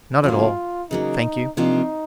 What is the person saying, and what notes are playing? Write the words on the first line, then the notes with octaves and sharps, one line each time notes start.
"Not at all; thank you."
C#3 F#3 A#3 F4
C#3 F#3 A#3 D#4
C3 F3 A#3 D4 D#4 F4